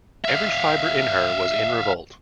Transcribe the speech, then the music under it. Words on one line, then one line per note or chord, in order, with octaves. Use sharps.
Every fibre in her was in revolt.
E5 F5